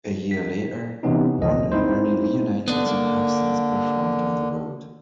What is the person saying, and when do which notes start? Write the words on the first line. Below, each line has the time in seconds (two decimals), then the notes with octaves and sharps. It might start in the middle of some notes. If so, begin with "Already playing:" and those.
A year later, Ron and Ernie reunited and have since performed on the road.
0.31 B6
1.03 C3 E3 B3 C#4 D#4
1.39 A1 D2 F3 D#5
1.72 C4 D#4 E4 C5
2.68 D3 B3 D4
2.87 A#3